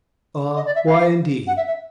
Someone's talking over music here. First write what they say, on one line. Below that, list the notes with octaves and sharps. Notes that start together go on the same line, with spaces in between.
Ah! why indeed?
D#5
D5
E5
F5
F#5
E5
E5